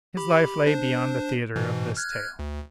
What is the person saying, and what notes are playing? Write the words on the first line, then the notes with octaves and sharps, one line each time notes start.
His life lay beyond the theatre of this tale.
G4 B5
D4 C5
G#2 B2 E3
F6 F#6 G#6
D2